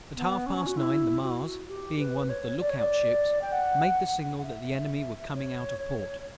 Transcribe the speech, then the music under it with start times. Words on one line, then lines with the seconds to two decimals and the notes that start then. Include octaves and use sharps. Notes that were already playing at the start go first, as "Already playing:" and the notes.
At half past nine the Mars, being one of the look-out ships, made the signal that the Enemy were coming out of port.
0.16 B3
0.46 C#4
0.66 F#4
0.77 E4
1.23 F#4
1.68 G4
1.99 B4
2.29 C#5
2.60 D5
2.69 C#5
2.79 D5
3.41 G5
3.52 F#5
4.38 F#5
4.43 E5
5.35 C#5